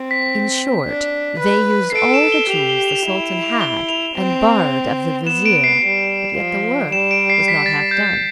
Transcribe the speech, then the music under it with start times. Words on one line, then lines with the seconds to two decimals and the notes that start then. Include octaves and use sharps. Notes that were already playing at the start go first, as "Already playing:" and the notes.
In short, they used all the jewels the sultan had, and borrowed of the vizier, but yet the work was not half done.
Already playing: C4
0.11 B6
0.85 D4
1.40 B4
1.90 C7
1.95 A4 D7
2.14 E7
2.32 G7
2.50 G4 F7
2.69 G7
2.88 F7
3.06 E4 G7
3.24 E7
3.42 F7
3.61 G7
3.88 F7
4.16 C4
5.26 B3 E7
5.46 D7
5.64 C7
5.82 G3 C7
6.37 F3
6.92 G3 E7
7.11 D7
7.30 C7
7.48 B6
7.66 A6
7.91 G6
8.03 A6